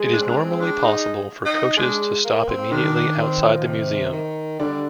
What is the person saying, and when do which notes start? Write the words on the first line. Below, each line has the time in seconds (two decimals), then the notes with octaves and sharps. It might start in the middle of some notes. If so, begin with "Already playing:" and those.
It is normally possible for coaches to stop immediately outside the museum.
Already playing: G#3 G#4
0.13 D4
0.21 C4
0.28 D4
0.36 C4
0.60 D4
0.83 D#4
1.45 D#4
1.77 G#3 D4 G#4
2.24 A#3
2.48 C4
2.71 D#3 D4 D#4
2.95 D4
3.18 C4
3.42 F3
3.65 C3
4.12 D#3
4.59 D3 G3 D4